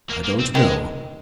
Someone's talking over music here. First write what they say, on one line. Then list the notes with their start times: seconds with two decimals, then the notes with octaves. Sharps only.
I don't know.
0.09 A#3
0.24 A#3
0.39 C4
0.55 D#3 G#3